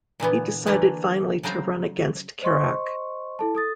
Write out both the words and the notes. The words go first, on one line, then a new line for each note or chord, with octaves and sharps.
He decided finally to run against Chirac.
A#2 D3 E3 B3
D3 E3 A3 A#3
C#3 F#3 C4 C5 A#5
C5 D#5 C6 C#6
E4 A4 A5
A4 D#6 A6